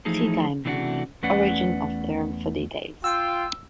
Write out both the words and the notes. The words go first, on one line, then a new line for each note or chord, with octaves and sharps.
See time domain: origin of term for details.
E3 F3 A3 D#4 G#4 A4
C3 E3 A3 D4 F4 F#4
E2 A3 C#4 B4 D5 F#5
F4 G5 E6